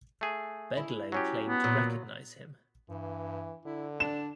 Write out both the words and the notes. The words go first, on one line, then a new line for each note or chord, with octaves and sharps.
Bedloe claimed to recognize him.
A3 G#4
E4
F#3 C#4 G4
B3
A#2 F#3
G2 E3
D3 E4
D4 E7